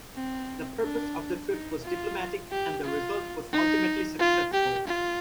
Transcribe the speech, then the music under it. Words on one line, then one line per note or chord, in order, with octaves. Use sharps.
The purpose of the trip was diplomatic and the result was ultimately successful.
C4
D4
D#4
F4
G4
F4
D#4
F4
G4
F4